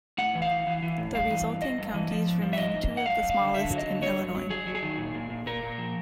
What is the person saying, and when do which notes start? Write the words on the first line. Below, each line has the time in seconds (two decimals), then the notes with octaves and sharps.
The resulting counties remain two of the smallest in Illinois.
0.18 A2 F#5
0.35 E3
0.42 F5
0.51 E3
0.67 E3
0.82 E3
0.98 A2
1.15 G2 F5
1.31 E3
1.46 G2
1.62 G2 D#5
1.78 G2
1.94 E3
2.11 F3
2.26 G#2
2.42 F3
2.53 E5
2.58 G#2 D#5
2.74 G#2
2.90 G#2
2.97 F#5
3.06 F#2 F5
3.22 F#2
3.30 F5
3.39 D3
3.54 D3 E5
3.70 F#3
3.78 D#5
3.86 D3
4.02 F#3 C#5
4.18 G2
4.35 F#3
4.50 F#3 G#4
4.67 F#3
4.75 G#4
4.82 D#3
4.98 A#2
5.15 A#2
5.30 A#2
5.46 A#2 A#4
5.63 A#2
5.78 F3